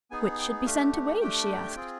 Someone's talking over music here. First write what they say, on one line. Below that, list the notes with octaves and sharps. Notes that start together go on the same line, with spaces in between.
"Which should be sent away?" she asked.
B3 D#4 G#4 G#5
G5
A3 D4 G4 F5
E5
F#5
F#5
A3 D4 G4 G5
C4 F4 G#4